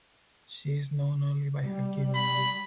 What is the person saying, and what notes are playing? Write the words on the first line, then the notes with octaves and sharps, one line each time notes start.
She is known only be her given name.
G3
B5